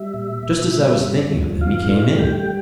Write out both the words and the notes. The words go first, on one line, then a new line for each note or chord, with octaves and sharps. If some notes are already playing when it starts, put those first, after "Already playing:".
Just as I was thinking of him he came in.
Already playing: G3 E5
A#2
A#2
G3
G2
F3
G2 F5
A3
G3 G5